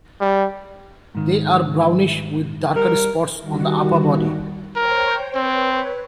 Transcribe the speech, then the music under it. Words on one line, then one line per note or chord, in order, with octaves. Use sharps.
They are brownish with darker spots on the upper body.
G3
G#2 D#3
G3 A#4
D#3 G3 F#4
A#4 C5 C#5 G5
C4 B4 C#5